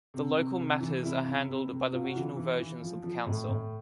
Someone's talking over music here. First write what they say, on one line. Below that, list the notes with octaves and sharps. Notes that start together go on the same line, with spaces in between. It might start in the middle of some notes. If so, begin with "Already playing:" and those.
The local matters are handled by the regional versions of the council.
C3
C3
C3
E3
C3 E4
C3
C3
C3
C3 F4
F#4
E3 F4
E3
E3
F3
F3
A2
A2